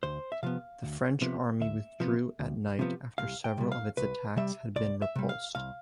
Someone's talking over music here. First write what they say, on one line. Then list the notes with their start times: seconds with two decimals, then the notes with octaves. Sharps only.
The French army withdrew at night after several of its attacks had been repulsed.
0.03 D2 C5
0.32 E5
0.43 C3 F3 B3 F5
0.82 D2
1.22 C3 F3 B3
1.61 D2 E5
2.00 C3 F3 B3
2.39 D2
2.79 C3 F3 B3
3.18 C2 F5
3.44 G5
3.58 C3 G3
3.72 F5
3.97 C2 B4
4.37 C3 G3 E5
4.76 C2 D5
5.02 E5
5.16 C3 G3
5.29 F5
5.55 C2 F5